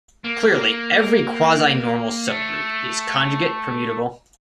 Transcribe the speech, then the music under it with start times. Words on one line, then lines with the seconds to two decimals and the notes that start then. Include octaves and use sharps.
Clearly, every quasinormal subgroup is conjugate-permutable.
0.24 A#3
2.28 A3